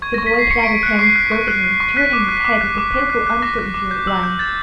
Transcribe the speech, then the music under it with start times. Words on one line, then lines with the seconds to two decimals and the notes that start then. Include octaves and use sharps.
The boy put out his hand gropingly, turning his head with the pitiful uncertainty of the blind.
0.02 C#6 G#6
0.14 C#6 A#6
0.26 B6
0.35 C#6 C7
0.51 C#6 C#7
0.63 D7
0.66 C#6
0.75 D7
0.83 F#6 C#7
0.99 C#6 C7
1.16 F#6
1.32 C#6
1.48 F#6
1.64 F#6
1.80 C#6
1.97 F#6 B6
2.13 D6
2.29 F#6
2.45 D6
2.61 F#6
2.78 D6
2.94 D6
3.10 F#6
3.27 F#6
3.42 D6 A#6
3.59 F#6
3.74 D6
3.91 G6
4.07 E6
4.23 G6
4.39 G6 A6